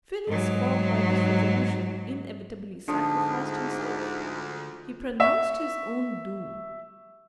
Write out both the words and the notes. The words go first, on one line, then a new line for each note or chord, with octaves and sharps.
Phileas Fogg, by this resolution, inevitably sacrificed himself; he pronounced his own doom.
G#2 F#3
D2 G#2 D3 F3
E5 C#6